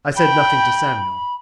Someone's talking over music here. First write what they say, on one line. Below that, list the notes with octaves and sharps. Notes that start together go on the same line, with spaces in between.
I said nothing to Samuel.
G5 B5